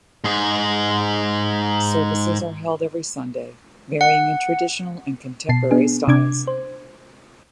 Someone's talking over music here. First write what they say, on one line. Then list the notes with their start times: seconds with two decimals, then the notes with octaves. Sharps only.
Services are held every Sunday, varying in traditional and contemporary styles.
0.24 G#2 G#4
4.01 F#5
5.49 B2 A5 C7
5.71 B3 D4 G#4
6.08 C3 D4 D6 G#6
6.47 C5